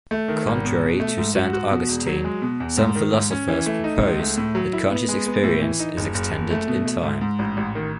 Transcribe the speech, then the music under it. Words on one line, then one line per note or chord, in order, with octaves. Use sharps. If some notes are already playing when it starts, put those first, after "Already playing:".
Contrary to Saint Augustine, some philosophers propose that conscious experience is extended in time.
A3
D#3
G#1
B2
B2
A3
G#2
F#4
F#4
B2
E1
F#3
G#3
B2
E2
G#2
D#3
G#2
C#4
E3
A3
D#4
C#2
A3
A2
F#3
E4
B3
G#3
B3
A2
E3
D#4
F#1
F#1
F#1
A3
B2
A3
G#2
G#2
A1
A1
D#3